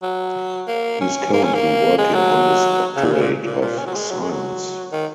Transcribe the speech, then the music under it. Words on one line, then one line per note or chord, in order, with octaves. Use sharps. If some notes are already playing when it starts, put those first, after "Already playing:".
He is currently working on his Doctorate of Science.
F#3
A#3
C#4
A#3
C#4
A#3
G#3
F#3
C#3
A#2
C#3
A#2
A#2
A#2
C#4
F#3
G#3
F#3
G#3
F#3
D#3